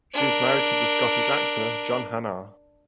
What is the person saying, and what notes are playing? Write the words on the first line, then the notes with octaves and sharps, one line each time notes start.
She is married to the Scottish actor John Hannah.
D4 A#4